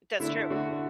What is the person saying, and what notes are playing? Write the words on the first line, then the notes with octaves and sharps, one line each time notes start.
That's true.
D3 A3 D4 E4
D3 A3 D4 F#4